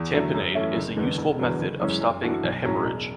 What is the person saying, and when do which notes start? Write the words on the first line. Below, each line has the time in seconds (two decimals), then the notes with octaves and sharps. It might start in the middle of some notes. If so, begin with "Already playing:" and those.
Tamponade is a useful method of stopping a hemorrhage.
Already playing: E2
0.13 D3 F#3 A3
0.34 F#2
0.55 E3 A3 C#4 E4
0.76 F#1
0.97 E2 D3 G#3 B3
1.18 E1
1.39 E2 D3 F#3 B3
1.60 F#1
1.80 F#2 E3 G#3 C#4
2.01 F#2
2.22 E3 A3 D4 F#4
2.43 B1
2.65 A2 F#3 C#4
2.85 E1